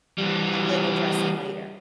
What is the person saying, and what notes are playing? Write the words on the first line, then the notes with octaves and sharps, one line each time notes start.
and then address it later.
E3 G3